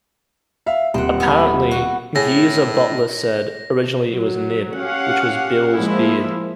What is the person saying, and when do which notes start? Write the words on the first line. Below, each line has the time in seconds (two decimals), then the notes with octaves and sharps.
Apparently, Geezer Butler said: Originally it was Nib, which was Bill's beard.
0.66 E5 F5
0.94 D#1 C4 F#5
1.20 F3 B3 E4
1.71 F#4
2.16 A2 G#4 C#5 A#6
4.10 F#3
4.77 C#4 G4 F5 F#5
5.75 F3 G#3 A#3 E4